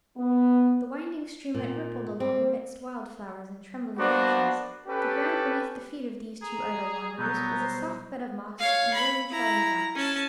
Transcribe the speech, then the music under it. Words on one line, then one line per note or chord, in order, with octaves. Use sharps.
The winding streamlet rippled along amidst wild flowers and trembling rushes; the ground beneath the feet of these two idle wanderers was a soft bed of moss and rarely-trodden grass.
B3
A#2
C4
A#3 B3 D4 F#4 C5
C#4 G4 A4 B4
G#4 A#5
B2 F#3 G3 B3 A#5 C#6 G6
C5
C#5 F5
B5
E4 A#5
C#4 A5